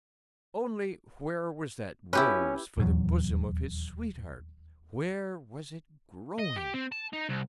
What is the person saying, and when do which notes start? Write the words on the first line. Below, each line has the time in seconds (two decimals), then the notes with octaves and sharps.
Only, where was that rose for the bosom of his sweetheart--where was it growing?
2.13 C#4 E4 G4 B4
2.77 D#1 E2 F#3
6.38 D#5
6.56 G4
6.74 C4
6.92 A5
7.13 D#4
7.29 C2